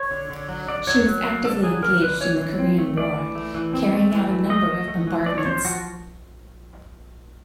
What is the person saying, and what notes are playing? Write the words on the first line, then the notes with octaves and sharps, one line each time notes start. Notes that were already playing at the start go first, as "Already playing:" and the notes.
She was actively engaged in the Korean War, carrying out a number of bombardments.
Already playing: C#5
D3
D3
F#3
D3 D5
F#3 C#5
F#3
A#3
D3 A4
F#3 G#4
D3 A#4
D3 B4
E3 C#5
E3
C4
A3
A3 D5
E3
A3
E3
C4
A3
E3
A3
A3 D#5
A3
A3
E3
F3 D5
C#5
F3 C5
F3 F#4